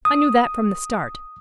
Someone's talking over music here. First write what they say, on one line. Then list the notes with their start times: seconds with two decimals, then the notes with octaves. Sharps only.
I knew that from the start.
0.05 D#6